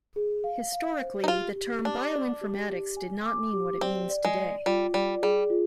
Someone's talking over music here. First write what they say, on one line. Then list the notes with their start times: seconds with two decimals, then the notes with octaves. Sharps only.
Historically, the term "bioinformatics" did not mean what it means today.
0.16 G#4
0.44 F5
0.72 F5
1.00 C5
1.24 D#4
1.28 F4 G4
1.56 G4
1.85 D4 G4
2.12 D5
2.41 G4
2.68 G4
2.97 G#5
3.26 D6
3.53 G4
3.81 C4 D5
4.10 D5
4.25 G#3
4.39 D5
4.66 G3 F4
4.94 G3 D5
5.22 G3 G#4
5.50 F4